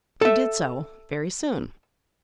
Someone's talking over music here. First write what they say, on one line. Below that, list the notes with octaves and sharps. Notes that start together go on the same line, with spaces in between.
He did so, very soon.
A4 E5